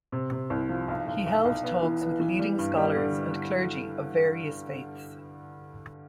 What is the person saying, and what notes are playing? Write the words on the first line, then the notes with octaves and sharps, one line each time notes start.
He held talks with leading scholars and clergy of various faiths.
C3
C3
C2
F3
B1
B1
B1
B1
B3
E3
B3
E3
G3
G2
G3
D3